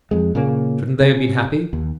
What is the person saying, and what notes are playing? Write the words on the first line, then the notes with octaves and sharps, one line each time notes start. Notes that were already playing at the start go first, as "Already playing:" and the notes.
Shouldn't they have been happy?
F2 G#3
A#2 C#3 A#3 C#4
C3 C#4
D#2